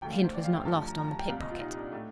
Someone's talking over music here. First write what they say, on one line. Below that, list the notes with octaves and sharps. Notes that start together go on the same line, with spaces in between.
The hint was not lost on the pick-pocket.
D2 D3 A3 G5
F5
C5
D5
F5
G5
G2 F3 A3 A5
A5
A#5
A#5
A5
G5
C2 A#2 G3 F5
D#5
F4
D#4
D4
A2 A3